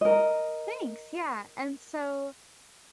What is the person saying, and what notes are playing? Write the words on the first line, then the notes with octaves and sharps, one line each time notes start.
thanks, yeah. And so
A#4 D#5